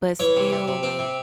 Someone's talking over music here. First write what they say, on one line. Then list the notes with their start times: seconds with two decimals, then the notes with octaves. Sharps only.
but still, like,
0.20 E3 C#5
0.36 C3
0.52 C3
0.68 C3
0.83 C4
0.99 C3